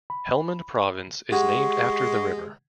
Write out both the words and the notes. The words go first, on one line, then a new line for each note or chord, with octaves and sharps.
Helmand Province is named after the river.
B5
G#3 G4 F#5 C#6